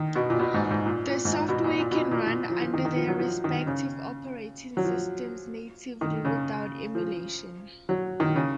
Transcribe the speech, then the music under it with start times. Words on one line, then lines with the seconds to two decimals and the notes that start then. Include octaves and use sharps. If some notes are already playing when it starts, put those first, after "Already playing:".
The software can run under their respective operating systems natively without emulation.
Already playing: D#3
0.16 B2
0.30 A#2
0.39 B2
0.54 G#2
0.71 G#2
0.86 A#2
1.09 A#2
1.25 G#2
1.33 A#2
1.49 B2
1.64 A#2
1.80 A#2
1.91 B2
1.95 A#2
2.11 A#2
2.26 A#2
2.50 F3
2.62 F3
2.74 D#3
2.85 D#3
2.96 F3
3.08 F#3
3.20 F3
3.44 D#3
3.67 C#3
4.77 F#3
4.85 F3
6.01 D#3
6.25 C#3
6.95 F3
7.89 F#3
8.20 D#3
8.36 C#3